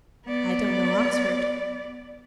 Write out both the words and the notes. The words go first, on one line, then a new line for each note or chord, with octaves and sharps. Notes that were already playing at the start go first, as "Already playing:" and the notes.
'I don't know Oxford.
B3 D5